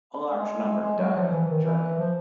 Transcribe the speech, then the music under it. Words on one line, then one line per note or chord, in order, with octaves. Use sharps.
A large number died on the journey.
G#3
G#3
G#3
F#3
F3
E3
D#3
E3
F3